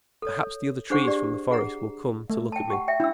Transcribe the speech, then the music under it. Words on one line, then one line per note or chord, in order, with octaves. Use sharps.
Perhaps the other trees from the forest will come to look at me!
A4 C#5
D4 G#4 C5 F#5 C#6
G4 D5
G#4 F#5 A#5
A3
G5 A5
G4 F#5
E5 G5
D4 E4 E6